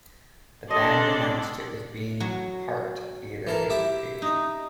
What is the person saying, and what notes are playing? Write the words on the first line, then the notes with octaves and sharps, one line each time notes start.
The band announced it was being "parked" via their facebook page.
D4 A4 D5 D#5 C6
F#3
E3 A4 A#4
E4 G4 E5
D#4